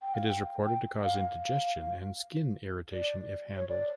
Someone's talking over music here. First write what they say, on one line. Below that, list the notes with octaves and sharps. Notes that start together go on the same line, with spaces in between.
It is reported to cause indigestion and skin irritation if handled.
G5
F5
G5
G5
F5
F5
D5
C#5
D5